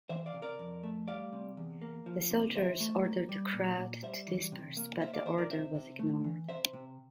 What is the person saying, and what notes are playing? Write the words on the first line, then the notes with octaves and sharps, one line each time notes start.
The soldiers ordered the crowd to disperse, but the order was ignored.
E3 C5 E5
D5 F5
C3
A#4 D5
F2
A3
G3 D5 F5
C3
E2
A#3
F3
C3
E2 C5 E5
A3
A#3
G3
A#2
A#2
G3 C5 E5
E3
C3
A#3
A#3 C5 E5
D5 F5
E3 C5 E5
A#4 D5
C3 C5 E5
C3
A3
E3
C3 C5 E5
C3